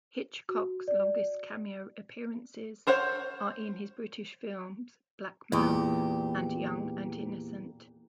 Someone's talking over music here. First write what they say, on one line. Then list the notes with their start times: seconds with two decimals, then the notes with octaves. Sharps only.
Hitchcock's longest cameo appearances are in his British films "Blackmail" and "Young and Innocent".
0.49 F#4
0.88 D5
2.87 A#4 C5 C#5 F#5
5.52 E2 A#2 G4